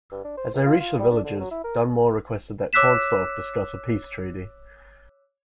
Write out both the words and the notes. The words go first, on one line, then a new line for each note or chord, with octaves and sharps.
As they reached the villages, Dunmore requested that Cornstalk discuss a peace treaty.
G2
D4
C5
C#2
F4
F4
G3
D4
D3
F#3
E4
A#4
C#5 D6 E6 F#6 B6 E7